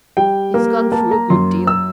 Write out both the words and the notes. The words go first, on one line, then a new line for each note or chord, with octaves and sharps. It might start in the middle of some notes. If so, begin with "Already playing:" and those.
He's gone through a good deal.
G3 G5
A#3
A#3 A5
A#5
F#2 C6
E6